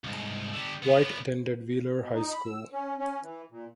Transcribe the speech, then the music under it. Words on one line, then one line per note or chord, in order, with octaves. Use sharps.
White attended Wheeler High School.
C2 G#2
D3 G3
D3 B3
B2
D#4
B5
E6
C#4
C#4
E3
A#2